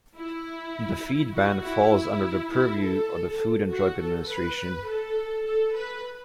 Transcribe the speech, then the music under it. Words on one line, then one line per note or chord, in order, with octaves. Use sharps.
The feed ban falls under the purview of the Food and Drug Administration.
E4
F#4
E4
E4
A4
F#4
A4
B4
A4
A4
B4